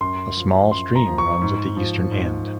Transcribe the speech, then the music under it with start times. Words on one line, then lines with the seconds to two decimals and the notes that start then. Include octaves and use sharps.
A small stream runs at the eastern end.
0.01 F#2 C6
0.37 F3
0.72 F#2 C6
0.95 A#5
1.06 F3
1.18 C#6
1.42 G#2
1.77 F3
2.12 G#2